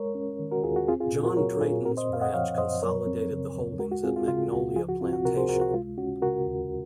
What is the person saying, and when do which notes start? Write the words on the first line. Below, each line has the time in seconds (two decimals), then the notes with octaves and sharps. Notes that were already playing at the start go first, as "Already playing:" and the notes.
John Drayton's branch consolidated the holdings at Magnolia Plantation.
Already playing: G#3 A#4 C#5
0.15 C#4
0.39 D#3
0.51 F#4 A#4
0.64 D#2 F4 G#4
0.76 F#4
0.88 C4 F4 G#4
1.00 F4 G#4
1.13 A#2
1.25 F#4 A#4
1.37 F#3 A#4 C#5
1.61 A#2 F4 G#4
1.85 C4 F#4 A#4
1.97 C5 D#5
2.10 F#2 F5
2.21 D#5 F#5
2.33 F3 C#5 F5
2.58 F#2 C5 D#5
2.82 F#3 A#4 C#5
3.07 C4
3.31 C#3
3.55 D#2
3.79 G#3 F#4 A#4
3.92 F#4
4.03 C4 F4 G#4
4.16 F4
4.28 C#3 F4
4.52 C#2 F#4
4.76 F3 F4 G#4
4.89 F#4
5.01 C4 F4
5.13 F#4
5.25 C3 F#4 A#4
5.37 G#4 C5
5.49 C#2 F#4 A#4
5.61 F#4
5.74 G#3 F4
5.98 C#4 F#4
6.22 C#3 F#4 A#4
6.46 D#2